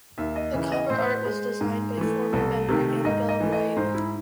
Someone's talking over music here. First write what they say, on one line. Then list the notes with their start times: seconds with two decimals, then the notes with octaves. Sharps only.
The cover art was designed by former member Annabel Wright.
0.18 D#2 E5
0.36 D#5
0.53 C#3 E3 E5
0.72 D#5
0.90 A2 C5
1.25 G#3
1.61 G#2
1.97 E3 A3
2.33 C2 A4
2.68 C3 D#3 A3
3.05 G#2 D#5
3.29 D#5
3.40 E3 A3
3.52 D#5
3.76 G#2 C5
3.94 E4